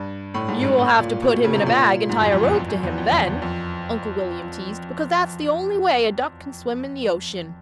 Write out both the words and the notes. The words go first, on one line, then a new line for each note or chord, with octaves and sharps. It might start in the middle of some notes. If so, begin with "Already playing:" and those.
"You will have to put him in a bag and tie a rope to him then," Uncle William teased, "because that's the only way a duck can swim in the ocean."
Already playing: G2
A2
G#2
G2
A2
A#2
B2
C#3
C3
A#2
G#2
F#2
F2
E2
F2
F#2
E2
F2
E2
E2
F2